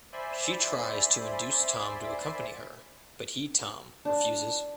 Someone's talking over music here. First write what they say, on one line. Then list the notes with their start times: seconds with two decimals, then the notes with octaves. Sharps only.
She tries to induce Tom to accompany her but he Tom refuses.
0.12 C5 D5 E5 G#5 B5 C6
4.05 D4